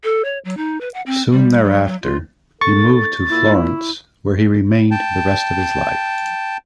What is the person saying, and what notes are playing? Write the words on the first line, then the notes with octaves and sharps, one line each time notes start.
Soon thereafter, he moved to Florence, where he remained the rest of his life.
A4
C#5
F#3
D#4
B4
F#5
C4
G3
F#3
F#3
F4
D#2 A4 C#6 A6
A#2 E4
G5 A5